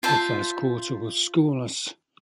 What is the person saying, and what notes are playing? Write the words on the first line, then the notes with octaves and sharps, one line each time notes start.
The first quarter was scoreless.
F4 C5 E5 A5